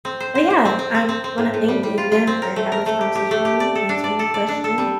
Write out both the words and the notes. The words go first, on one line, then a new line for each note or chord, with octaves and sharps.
but yeah, I wanna thank you again for having this conversation with me, answering the question.
C4
C5
C5
C5
C4
C4
C4
C4
C4
A2
A2
G3
G3
F4
F4
C4
A#4
A3
A#4
A3
G4
G4
A3
G4
D5
A4
D4
D5
A4
D5
D4
A4
G3